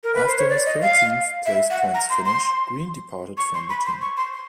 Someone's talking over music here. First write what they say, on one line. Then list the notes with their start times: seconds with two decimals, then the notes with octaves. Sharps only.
After his thirteenth-place points finish, Green departed from the team.
0.04 A#4
0.15 B4
0.27 C5
0.38 C#5
0.49 D5
0.66 D#5
0.82 F5
1.46 E5
1.70 F#5
1.94 A#5
2.10 C6
2.25 C6
3.37 C#6
3.54 C6
3.70 B5
3.86 C6
4.02 C#6
4.17 C6
4.33 C6